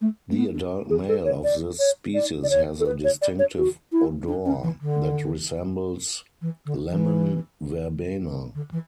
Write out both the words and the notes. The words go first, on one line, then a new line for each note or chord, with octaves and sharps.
The adult male of this species has a distinctive odour that resembles lemon verbena.
A3
A3
B3
D4
G#4
A4
C#5
D5
C#5
D5
D5
C#5
A4
B4
C#5
D5
C#5
F#4
E4
D4
C#4
E3
D3
E3
D3
E3
D3
E3